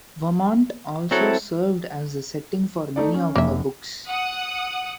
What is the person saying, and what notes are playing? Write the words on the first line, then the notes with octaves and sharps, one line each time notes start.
Vermont also served as the setting for many of her books.
F#3 C4 E4 A4
A3 D#4 D5
C#4
F1 A#3 E5
F#5 D#6